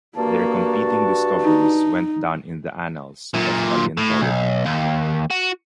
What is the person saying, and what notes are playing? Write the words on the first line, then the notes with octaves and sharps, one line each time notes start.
Their competing discoveries went down in the annals of paleontology.
G2 A#3 F#4 A5
D#4
F#2 A#2
A2
B1
D#2
F#4